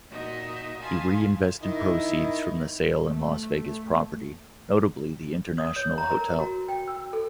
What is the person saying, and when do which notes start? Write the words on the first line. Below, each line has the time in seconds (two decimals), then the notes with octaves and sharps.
He reinvested proceeds from the sale in Las Vegas property, notably the International Hotel.
0.10 A#2 D#4 F#4 D#5 E5
0.80 F5 G#5 A5 B5 C6 D#6
1.63 D#3 E4 D#5
3.05 A3
5.58 D#6
5.76 C#5
5.98 A#5
6.11 A#4
6.40 F#4
6.68 G5
6.88 E6
7.13 A4